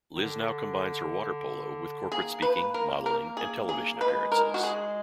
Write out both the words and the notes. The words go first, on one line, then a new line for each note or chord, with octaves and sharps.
Liz now combines her water polo with corporate speaking, modelling and television appearances.
D#3
D3
A#3 G#4
B4
A#4
A#4
G#4
G#4
A#3
G#3 B4
A#4
F#4
G#4